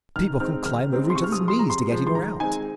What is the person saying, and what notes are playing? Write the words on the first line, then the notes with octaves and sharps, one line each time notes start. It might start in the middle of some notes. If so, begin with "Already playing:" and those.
People can climb over each other's knees to get in or out.
D#3 F6
G#3 C4 D#4 F6
D#3 F6
G#3 C4 D#4
C6
C3 C#6
F6
D#6
F3 G#3
C6
A#5
C3 C6
F3 G#3
C6
D#3 A#5
G#3 C4 D#4 G#5